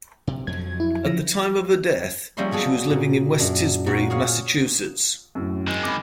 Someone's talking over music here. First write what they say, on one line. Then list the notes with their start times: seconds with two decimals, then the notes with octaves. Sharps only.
At the time of her death she was living in West Tisbury, Massachusetts.
0.27 C3
0.47 F2 F3 F#3 G#6
0.80 E4
1.06 F3 A#6
2.37 F3 G3 A#3 C#4 E5 C6
2.51 B2 F#3 G#4 A4
2.91 A#2
3.39 F#2 D4
3.86 A#2 F#3 F#4
4.10 G#4 C#5 F5 G#5
5.35 F#2 A2
5.68 D#3 G#3
5.83 B5 D6